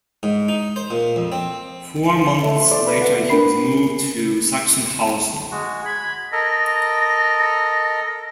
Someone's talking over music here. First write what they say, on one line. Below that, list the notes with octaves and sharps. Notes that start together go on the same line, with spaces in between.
Four months later he was moved to Sachsenhausen.
G#2
D#4
C5
A#2
F2
C4
F5
A3
C6
D5
B4
F#5
D4 A#4 B5 C7
G#3 F#4
B5 G#6
A4 A#4 D#5 A#6